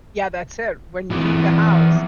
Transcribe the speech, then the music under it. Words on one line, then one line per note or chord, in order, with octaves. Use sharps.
Yeah, that's it. When you leave the house,
E3 D5